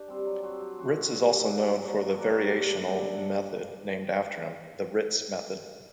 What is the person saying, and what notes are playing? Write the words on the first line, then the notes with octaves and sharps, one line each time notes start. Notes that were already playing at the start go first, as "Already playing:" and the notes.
Ritz is also known for the variational method named after him, the Ritz method.
Already playing: D4 G4
G3 C4
F#3
C4 F#4
F#3
C4 F#4
A2
G3 D4
A2
G3 D4
F#3
A#3 D4 F#4
F#3
A#3 D4 F#4
G2
D3 G3 D4
G2
D3 G3 D4